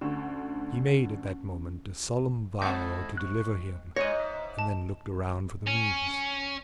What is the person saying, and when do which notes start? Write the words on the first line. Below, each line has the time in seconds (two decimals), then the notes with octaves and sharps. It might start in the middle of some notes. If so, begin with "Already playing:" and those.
He made, at that moment, a solemn vow to deliver him and then looked around for the means.
0.01 D2 D3 C#4
2.62 G#3 C4 E4 A4 D#5 F#5 G6
3.17 C#6 F#6
3.96 G#2 G#3 G4 C#5 D#5 A#6 D#7
4.20 E5
4.59 A5
5.67 C#4